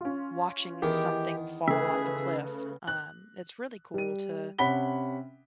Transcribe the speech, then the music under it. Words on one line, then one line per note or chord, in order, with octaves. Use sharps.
watching something fall off a cliff, um, it's really cool to
C#4 F4
E2 D#3 E3 G4
C#3 A3 G#4 B4 E5
F#6
G3 D#7
C3 C#4 F#5 B5 B6 G7